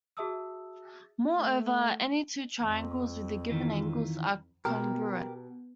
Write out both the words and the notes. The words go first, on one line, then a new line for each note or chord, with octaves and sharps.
Moreover, any two triangles with the given angles are congruent.
F#4 G#4 E5 A5 D#6 E6
A3
F2
D#3 E3 F4
B2 G4 A#4